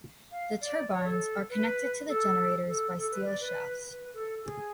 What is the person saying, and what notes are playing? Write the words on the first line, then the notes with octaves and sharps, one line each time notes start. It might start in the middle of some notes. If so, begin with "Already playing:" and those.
The turbines are connected to the generators by steel shafts.
F5
D5
C#5
A4
B4
A4
A4
A4
B4
D5
B4
B4
A4
G#4